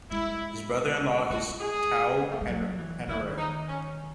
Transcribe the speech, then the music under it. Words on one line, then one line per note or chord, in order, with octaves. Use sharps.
His brother-in-law is Tau Henare.
G#3 E4
G#3 F#4
G#4
A3
G#3
F#3
E3
D#3 E4
D#4
C#4